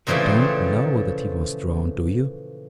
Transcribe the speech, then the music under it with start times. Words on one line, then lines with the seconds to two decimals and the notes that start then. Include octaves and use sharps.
You don't KNOW that he was drowned, do you?
0.07 A#2 C#3 E3 F3 A3 G5